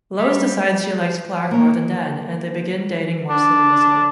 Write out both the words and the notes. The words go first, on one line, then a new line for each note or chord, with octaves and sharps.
Lois decides she likes Clark more than Dan, and they begin dating more seriously.
G3
A#3 C#5
D4